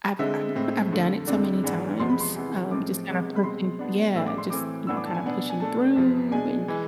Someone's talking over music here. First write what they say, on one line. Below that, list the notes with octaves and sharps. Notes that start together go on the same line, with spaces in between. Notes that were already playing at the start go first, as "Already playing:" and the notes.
I've I'm I've done it so many times, um, just kinda pushing Yeah, just, you know, kinda pushing through and
D3 G#3 C4 E5
A2 G#3 C4
F2 D3 A3
F2 D3 G#3 C4 D5
G#2 E3 B3 D4
E2 C3 F3 G#3 B3 C6
B5
C6
C3 E3 G#3 B3
A2 F3 G#3 C4 D6
C3 G#3 B3
B5
B2 G#3 C4 C6
B2 B3 D4
A2 G#3 D4 E6
D6
C6
A2 E3 A3 C4 D6
A2 E3 B3 D4 E6
D6
A5
G#5
B2 B3 D4
G#5
B2 A3 D4 A5
E2 C3 F3
B2 G#3 D4 G#5
E3 G#3